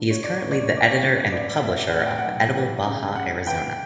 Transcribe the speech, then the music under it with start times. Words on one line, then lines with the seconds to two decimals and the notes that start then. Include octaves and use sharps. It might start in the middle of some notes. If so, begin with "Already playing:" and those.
He is currently the editor and publisher of "Edible Baja Arizona".
Already playing: D3
0.11 F#1 C#5
0.24 D5
0.38 E2 C#5
0.51 D5
0.64 C#5
0.72 F#1
0.77 D5
0.91 C#5
1.03 D3
1.32 A1 D5
1.63 A1 E5
1.95 A2 F#5
2.06 G5
2.18 F#5
2.25 B1
2.55 E3
2.86 C#3
3.16 C#3 F#5
3.46 E3 G5